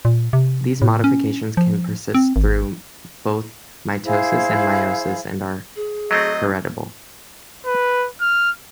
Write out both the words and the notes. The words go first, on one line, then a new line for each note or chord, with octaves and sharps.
These modifications can persist through both mitosis and meiosis and are heritable.
A#2
C3
A2
C#4
F3
C4
G#1
E4 G#4 C5 F5
G#4
F#3 A3 C4 D#5
B4
F6